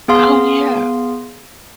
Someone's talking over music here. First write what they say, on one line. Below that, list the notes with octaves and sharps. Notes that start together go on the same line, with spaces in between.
Oh, yeah.
B3 G#4 F5 C6